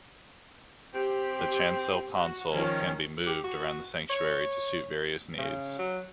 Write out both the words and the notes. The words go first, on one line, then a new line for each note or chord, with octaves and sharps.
The chancel console can be moved around the sanctuary to suit various needs.
C4 G4
F#4
D#3 F3 C#4
G4
F#4
C#5
C#3
F#3